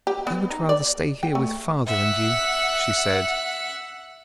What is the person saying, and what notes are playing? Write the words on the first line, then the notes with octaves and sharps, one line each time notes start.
"I would rather stay here with father and you," she said.
G4
B3
D#4
D5
G5
A3
E5 F#5